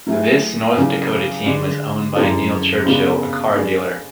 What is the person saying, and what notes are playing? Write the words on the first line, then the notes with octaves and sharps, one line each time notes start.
This North Dakota team was owned by Neil Churchill, a car dealer.
F#3 A3 E4 G#4
E2 C#3 F#3
D3 G#3 D4
F#2 E3 G#3 D4 A4
C#3 G#3 B3 D4 F#4
G#3 D4 G#4 D5